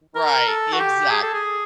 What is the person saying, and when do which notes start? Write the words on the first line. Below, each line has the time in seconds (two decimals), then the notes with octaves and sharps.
Right, exact
0.15 A#4
0.48 A4
0.73 F#4
0.80 G4
1.11 G#4
1.23 A4
1.34 G#4